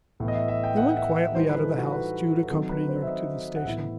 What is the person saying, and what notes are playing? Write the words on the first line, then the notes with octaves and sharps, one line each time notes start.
They went quietly out of the house, Jude accompanying her to the station.
A2 E3 B3
D#5
E5
E5
G5
F#5
E5
E5
E3 G3 D#4 C5
B4
A4
F#4
B4
B4
D#3 F#3 C4 D#4 A4
B4
C5
E5
D#5
F#5
A2 E3 B3 E4 E5